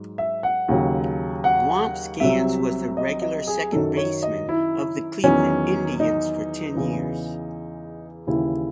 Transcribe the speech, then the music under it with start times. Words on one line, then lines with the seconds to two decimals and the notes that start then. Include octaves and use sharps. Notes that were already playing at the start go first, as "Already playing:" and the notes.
Wambsganss was the regular second baseman of the Cleveland Indians for ten years.
Already playing: G#2 F#3
0.18 E5
0.43 F#5
0.68 D#2 C#3 F#3
1.44 F#5
2.20 C2 C3 F#3 E5
2.97 D#5
3.22 D#5
3.47 G#4
3.72 F#2 D#3 F#3 A4
3.97 C#5
4.23 D#5
4.49 E4
5.24 E2 D#3 F#3 C#4
6.00 D#4
6.75 E2 C#3 E3
8.27 D#2 C#3 E3 E4